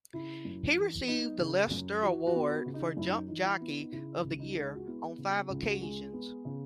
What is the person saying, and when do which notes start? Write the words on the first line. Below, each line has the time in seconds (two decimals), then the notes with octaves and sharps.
He received the Lester Award for Jump Jockey of the Year on five occasions.
0.13 C#3 E4
0.45 F#2
0.76 E3
1.08 B3 D#4
1.40 C#3
1.71 F#2
2.03 E3 F#4
2.27 F#4
2.35 B3
2.50 F#4
2.66 C#3
2.74 D#4
2.97 F#2 E4
3.08 D#4
3.28 E3 D#4
3.44 E4
3.61 B3
3.80 D#4
3.92 C#3 E4
4.23 C#2
4.39 D#4
4.55 G#3
4.75 F#4
4.87 B3 E4
5.18 C#3
5.50 C#2
5.70 F#4
5.81 G#3 G#4
6.13 B3
6.45 C#3